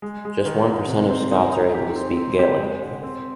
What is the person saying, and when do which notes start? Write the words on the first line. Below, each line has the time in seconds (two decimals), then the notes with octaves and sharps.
Just one percent of Scots are able to speak Gaelic.
0.02 G#3
0.25 G#3
0.45 D#3
0.67 G#2
0.88 C3
1.09 C4
1.32 D#4
1.52 D#4
1.74 G4
1.95 C4
2.17 C4
2.39 G4
2.60 G#3
2.82 D3
3.03 C4